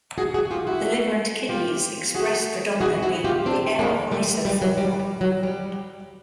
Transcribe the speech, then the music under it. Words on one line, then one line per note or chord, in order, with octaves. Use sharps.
The liver and kidneys express predominantly the L isoform.
F#4 G#4
F#4 G#4
F4 G4
E4 F#4
F4 G4
F#4 G#4
F#4 G#4
E4 F#4
F4 G4
C4 D4
G#3 A#3
G3 A3
G3
F#3
G3
G3
F#3
G3